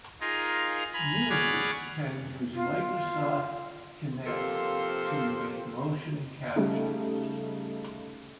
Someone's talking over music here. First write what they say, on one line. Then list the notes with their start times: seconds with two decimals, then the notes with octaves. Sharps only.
Users can use Microsoft Kinect to make motion captures.
0.21 D#4 F4 G#4 A#4
0.93 G#5 A#5 B5
1.30 G#4 C#5 D5 F#5 B5 F6
2.54 F4
4.26 C3 F3 A#3 A4 C5
6.56 C#3 G3 A3 D#4